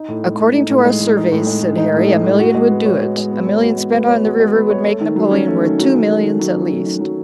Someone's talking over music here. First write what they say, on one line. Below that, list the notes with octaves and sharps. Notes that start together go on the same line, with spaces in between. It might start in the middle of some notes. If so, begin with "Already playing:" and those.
"According to our surveys," said Harry, "a million would do it; a million spent on the river would make Napoleon worth two millions at least."
Already playing: D#4
A2
G#3
A2
D#4
A2
G#3
A2
D#4
A2
G#3
A2
D#4
A2
G#3
A2
F#4
G#3
B3
C#5
F#4
G#3
B3
C#5
F#4
G#3
B3
C#5
F#4
G#3
B3
C#5
A3
D#3
F#3
C#4
A3
D#3
F#3
C#4
A3
D#3
F#3
C#4
A3
D#3
F#3